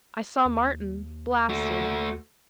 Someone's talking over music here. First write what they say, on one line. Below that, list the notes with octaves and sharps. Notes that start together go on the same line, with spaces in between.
I saw Martin--blasted.
D#2
A3 F#4